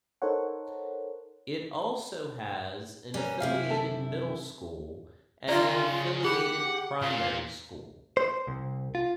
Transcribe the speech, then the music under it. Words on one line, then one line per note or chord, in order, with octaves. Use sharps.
It also has an affiliated middle school and an affiliated primary school.
D#4 A4 A#4 C5 C#5 F#5
G3 C#4 A#4 B4 D5
F#2 C3 E4 F5
A4 E5 A5
C#3 F4 D5 E5 A#5
G4 G#4 F#5 B5
A#2 F5
C5
C2
F4